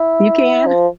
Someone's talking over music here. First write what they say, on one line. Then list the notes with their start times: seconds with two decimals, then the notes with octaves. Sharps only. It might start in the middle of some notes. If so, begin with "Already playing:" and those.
You can?
Already playing: E4
0.67 F3